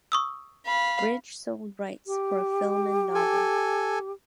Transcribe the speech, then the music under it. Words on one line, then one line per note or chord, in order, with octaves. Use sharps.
Bridge sold rights for a film and novel.
C#6 D#6 E6
F5 B5
G4
A4 G#5